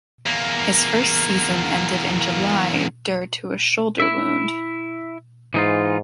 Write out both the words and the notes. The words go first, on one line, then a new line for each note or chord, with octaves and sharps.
His first season ended in July dur to a shoulder wound.
E2 A#3
E4 E5
G#2 E3 D#4 F4